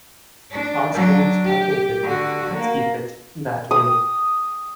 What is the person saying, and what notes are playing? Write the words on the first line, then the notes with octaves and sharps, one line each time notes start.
Our schools are open. Let’s keep it that way.
D4
F#3 D4
G4
D3 F#4
A#3
D#6